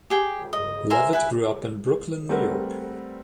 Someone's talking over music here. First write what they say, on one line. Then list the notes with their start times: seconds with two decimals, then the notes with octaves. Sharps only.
Levitt grew up in Brooklyn, New York.
0.10 G4 G#4 G5
0.53 D#5
0.90 A#4 C5 E5 G#5
1.13 E4 B4 G#5
2.29 G3 A3 C4 A#4 B4 F#5